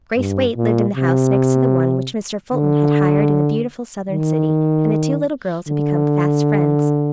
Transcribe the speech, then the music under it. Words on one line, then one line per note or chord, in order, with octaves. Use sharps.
Grace Waite lived in the house next to the one which Mr. Fulton had hired in the beautiful southern city, and the two little girls had become fast friends.
G2
A#2
C3
D3
D#3
D3